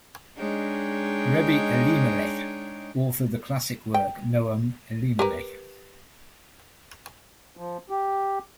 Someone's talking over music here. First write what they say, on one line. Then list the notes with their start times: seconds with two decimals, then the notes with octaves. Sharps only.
Rebbi Elimelech authored the classic work "Noam Elimelech".
0.37 G#3 D4 D#4 G#4 C#5 G5
3.94 G5
5.19 G4 A#4 B4
7.57 F3
7.90 G4